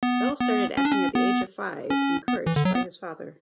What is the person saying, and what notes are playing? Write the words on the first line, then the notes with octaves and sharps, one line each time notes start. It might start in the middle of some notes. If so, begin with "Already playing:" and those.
Bell started acting at the age of five, encouraged by his father.
B3
B3
C#4
D4
C#4
B3
C#4
B3
E3
D3
F#3
B3